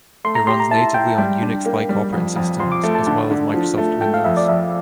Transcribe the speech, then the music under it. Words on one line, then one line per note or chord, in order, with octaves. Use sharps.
It runs natively on Unix-like operating systems as well as Microsoft Windows.
A3 C6
A#5
G4 C6
A#5
E4 A5
E4 G5
G3 G5
D4
A#3
G3
F2
F2
F2 C6
D6
A3
A5
D3 A5
D3
F3
A3
A3 G5
F5
F2 E5
D5
F2 E5